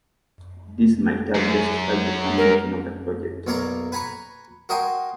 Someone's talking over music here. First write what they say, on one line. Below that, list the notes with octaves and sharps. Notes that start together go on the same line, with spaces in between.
This might have justified the termination of the project.
F#2
A#4
B1 A#3 C#5 D5 A#5
B4 G#5 A#5 B5 C#6
F#4 A#4 D#5 G5 G#5 C6